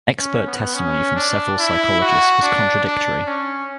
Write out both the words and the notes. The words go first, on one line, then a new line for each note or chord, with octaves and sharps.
Expert testimony from several psychologists was contradictory.
C#4
B3
C#4
D4
E4
F#4
D4
D4
C#4